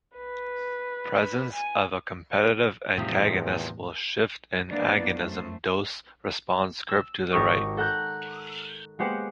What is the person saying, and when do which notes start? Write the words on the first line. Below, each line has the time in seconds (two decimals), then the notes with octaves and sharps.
Presence of a competitive antagonist will shift an agonism dose-response curve to the right.
0.16 B4
1.53 G#5
2.98 E2 A2 C3 D#3 F3 G3
4.69 A#3 B3 D4 E4 B4 D5
5.10 F#2 A3 C5
6.88 E6
7.32 G#1 G4 A#4 C#6 D#6
7.77 A4 F#5 A#5 F#6 G6
8.99 G#3 A#3 B3 G4 C5 F#5